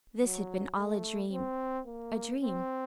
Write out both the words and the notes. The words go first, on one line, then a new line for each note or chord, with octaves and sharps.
This had been all a dream--a dream.
F#3
A3
C4
A#3
C4